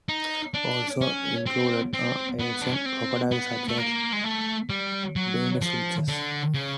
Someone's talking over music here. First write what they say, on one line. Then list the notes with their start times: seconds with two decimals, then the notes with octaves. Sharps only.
Also included are ancient crocodiles such as "Deinosuchus".
0.09 D#4
0.54 D4
1.01 C#4
1.46 C4
1.93 C4
2.39 B3
2.62 D4
2.73 C#4
2.86 C4
3.31 B3
3.68 A3
3.78 A#3
4.13 G#3
4.24 A3
4.70 G3
5.16 F#3
5.62 F3
6.08 D3
6.54 C#3